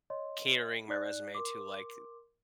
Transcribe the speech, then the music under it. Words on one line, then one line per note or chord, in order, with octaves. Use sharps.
catering my resume to, like,
C#5 D#5 C6
D#4 D5 F#6
A#4 C6 D6